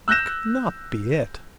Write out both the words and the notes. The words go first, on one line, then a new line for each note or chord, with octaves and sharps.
That could not be it.
E6 F#6 G6 A#6 E7